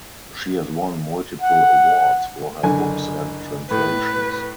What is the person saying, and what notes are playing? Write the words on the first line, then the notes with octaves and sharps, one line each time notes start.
She has won multiple awards for her books and translations.
F#5
F#1 D3 G#5
A2 B4